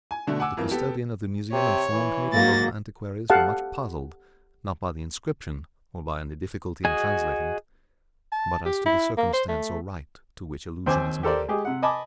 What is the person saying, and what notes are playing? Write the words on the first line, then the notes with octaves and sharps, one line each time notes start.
The custodian of the museum informed me that local antiquaries were much puzzled, not by the inscription, or by any difficulty in translating it, but as to the circumstance or rite to which allusion is made.
G#5
B2 D3 A3 D4
F#5 G#5 D6 E6
F2 E3 A#3
B3 G4 A4 G5
C3 C#5
E3
G#2 F#3 A#3 A6 A#6
G4 A4 F5 F#5 A5
F#4 G#4 D#5 G#5
A5
G4
E4
A#3
C5
A3
D#2 C4 C5 G5 G#5 D6
G4 A4 A#4 C5 D5
G#3 G4 G#4
C3 F#5
D#5 G#5 A5 B5 D6